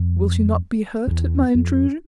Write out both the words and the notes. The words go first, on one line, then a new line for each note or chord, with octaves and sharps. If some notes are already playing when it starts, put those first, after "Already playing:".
"Will she not be hurt at my intrusion?"
Already playing: F2
F2
E2
F2